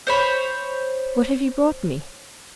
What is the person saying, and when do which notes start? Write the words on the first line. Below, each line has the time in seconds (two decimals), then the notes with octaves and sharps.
What have you brought me?'
0.07 C5 C#5 B5